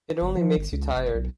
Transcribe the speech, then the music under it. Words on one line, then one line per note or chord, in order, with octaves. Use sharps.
It only makes you tired.
G1
F3
G1
C#2
F1
B1